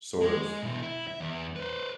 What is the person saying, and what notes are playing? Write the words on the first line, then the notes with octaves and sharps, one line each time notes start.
sort of
G#3
B2 E4
E4
E5
E2
B4 C5